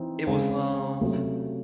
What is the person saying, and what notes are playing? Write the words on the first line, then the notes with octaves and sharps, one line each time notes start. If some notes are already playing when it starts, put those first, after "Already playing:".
It was, um
Already playing: E3 C4 D#4
C#3 G#3 C4
C3 F#3 A3 C#4